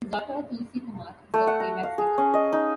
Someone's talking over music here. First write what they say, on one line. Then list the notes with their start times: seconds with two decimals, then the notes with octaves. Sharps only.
His daughter Tulsi Kumar is a playback singer.
1.34 A3
1.47 F#5
1.60 A#5
1.83 F5
1.98 G#4
2.18 C#4
2.34 D#5
2.53 D#4